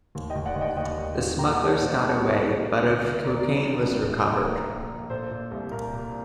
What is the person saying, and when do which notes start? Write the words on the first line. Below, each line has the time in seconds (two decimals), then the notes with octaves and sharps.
The smugglers got away, but of cocaine was recovered.
0.15 D#2
0.30 D#5 G5
0.35 D#2
0.46 D5 F#5
0.56 D#2
0.61 D#5 G5
0.77 D#2 D#5 G5
0.98 D#2
1.19 D#2
1.39 A#2 G5 A#5
1.54 F#5 A5
1.59 C2
1.70 D5 F#5
1.80 A#2 C5 D#5
2.00 C2
2.21 A#2
2.42 C2
2.62 C3
2.83 D2
3.04 D2
3.24 D#3 A#4 D5
3.39 A#4 D5
3.45 D#3
3.55 A4 C5
3.66 D#3 A#4
3.86 A#1 A#4
4.01 A4
4.07 A#2
4.17 A#4
4.27 A#2
4.32 A4
4.48 A#1 A#4
4.69 A#2
4.89 A#2
5.10 A#2 A4 C5
5.31 A#2
5.51 C2
5.72 A#2 A#4
5.93 A#2